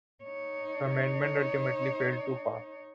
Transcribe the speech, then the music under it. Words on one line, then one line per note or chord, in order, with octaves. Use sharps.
The amendment ultimately failed to pass.
D#4 C#5